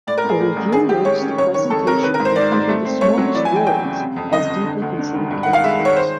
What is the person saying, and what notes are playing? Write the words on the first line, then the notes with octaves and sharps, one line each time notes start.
A review notes the "presentation of even the smallest roles as deeply-considered characters".
A2 D5
A#4
A2
G#4
A2
A1
D#3 G#4
G#3 G4
G#3 C#5
C#4
F#1 C#5
D#3 C#5
F2 A4
C3 A#4
D#3 B4
A#4
G#2
C5
D#3 D5
G#2
A3
C4
A3 C#5
F#3
E3 D5
G#5
E3
G5
E2 G5
C#3
C3
F2
G1 D#5
G1
D3
D2
D3
E1
G2
D#3 F#5
F5
G#3 E5
D#3
C#5
C5